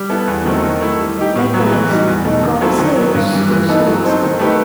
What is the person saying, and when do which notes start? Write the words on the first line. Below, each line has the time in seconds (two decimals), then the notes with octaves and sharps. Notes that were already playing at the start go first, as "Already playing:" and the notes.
Likewise, God saves those who ask Him.
Already playing: G3
0.10 B3 E4 A4
0.28 E2
0.45 D#3 F#3 A3 C4
0.63 D#3
0.81 A3 E4
1.00 G3
1.18 D#4 G4
1.36 A2
1.53 F#3 B3
1.71 E3
1.89 G3 D#4 F#4
2.07 E2
2.24 B2 A3 D#4
2.43 D#3
2.61 F#3 C4 E4 A4
2.79 D#3
2.96 F#3 B3
3.15 G2
3.32 E3 G3
3.51 E3
3.68 B3 D#4 A4
3.86 F#3
4.04 C4 D#4 A4 C5
4.22 D#3
4.39 A3 D#4 G4 B4